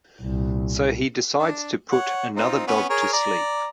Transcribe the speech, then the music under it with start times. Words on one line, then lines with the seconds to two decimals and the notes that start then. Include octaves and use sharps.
So he decides to put another dog to sleep.
0.22 C2 A#2
1.39 D4
1.92 C#5 F#5
2.37 C4 D#4 F4
2.67 B3 C#4
2.90 G#4 A#4 C#5
3.13 D5 A#5